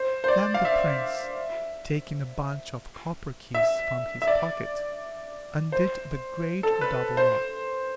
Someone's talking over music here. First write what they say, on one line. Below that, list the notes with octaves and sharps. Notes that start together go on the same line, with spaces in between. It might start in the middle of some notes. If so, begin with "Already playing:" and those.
Then the Prince, taking a bunch of copper keys from his pocket, undid the great double locks.
Already playing: C5
C5
D5
F5
E5
E5
E5
D5
C5
A4
B4
C5